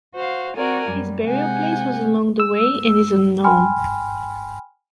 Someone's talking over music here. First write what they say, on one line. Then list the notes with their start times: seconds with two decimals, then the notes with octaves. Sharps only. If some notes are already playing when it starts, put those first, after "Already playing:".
His burial place was along the way and is unknown.
0.15 F#4 C5 F5
0.56 C4 F#4 A#4 D5 G#5
0.89 F#2 G3
1.27 C3 G#3 F#5 G#5 G6
2.40 E6
3.44 G5 G#5 B5 C6 F6